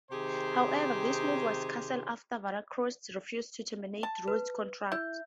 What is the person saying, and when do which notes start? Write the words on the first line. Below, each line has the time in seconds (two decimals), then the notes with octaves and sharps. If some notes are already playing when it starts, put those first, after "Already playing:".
However, this move was cancelled after Veracruz refused to terminate Ruiz's contract.
0.11 C3 D#3 G4 G#4 C5
4.03 A5
4.28 B4
4.92 E4 G6